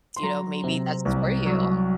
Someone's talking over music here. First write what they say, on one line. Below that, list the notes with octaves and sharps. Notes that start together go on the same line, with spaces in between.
you know, maybe that's for you.
C6
F#3 A#5
C3
C2
F#3